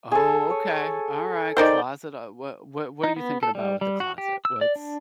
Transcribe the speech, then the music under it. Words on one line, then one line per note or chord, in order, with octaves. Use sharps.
Oh, okay, alright, closet. Uh, wha wha what are you thinking about with the closet? What's
G#4 A4
C#5
D#4 A#4 C5 D5 G5
D#4
B3
A4
G3
G3
F#4
G4
E6
D5
D4